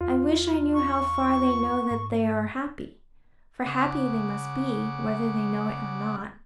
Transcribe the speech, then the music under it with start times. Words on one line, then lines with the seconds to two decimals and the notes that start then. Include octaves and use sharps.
I wish I knew how far they know that they are happy--for happy they must be, whether they know it or not.
0.01 E2 F4
0.73 C#6
1.91 G#2
3.66 C#3 F#5 D6